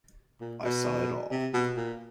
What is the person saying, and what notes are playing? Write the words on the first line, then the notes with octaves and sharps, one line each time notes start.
I saw it all.
A#2
B2
C3
B2
A#2